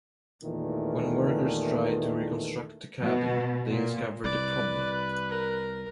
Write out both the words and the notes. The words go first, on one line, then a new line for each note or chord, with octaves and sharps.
When workers tried to reconstruct the cabin, they discovered the problem.
E2 A#2 D#3 E3 A3
B2
A#2
C2 B4 D5
A#4